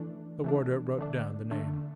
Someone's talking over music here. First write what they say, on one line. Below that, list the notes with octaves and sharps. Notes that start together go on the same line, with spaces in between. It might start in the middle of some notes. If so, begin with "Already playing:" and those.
The warder wrote down the name.
Already playing: E3 A3 D4
E3 A3 D4
D3 A3 D4
D3 A3 D4